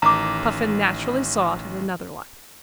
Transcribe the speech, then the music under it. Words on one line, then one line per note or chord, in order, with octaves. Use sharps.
Puffin naturally saw it in another light.
A1 D#3 A#5 D6